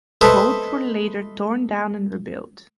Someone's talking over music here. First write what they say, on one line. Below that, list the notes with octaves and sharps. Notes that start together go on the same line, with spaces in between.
Both were later torn down and rebuilt.
A4 B4 C5 D#5 E5 A5